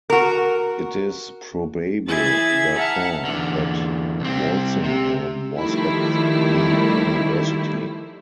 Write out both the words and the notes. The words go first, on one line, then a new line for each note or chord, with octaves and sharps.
It is probable, therefore, that Walsingham was at the university.
F#4 A#4
E3 E4 G#4 E5 G#6 A6
E5 F#5 A5 A#5 F6
E2 D3
C2 C4
C3
D#3 F3 G3 A3 E4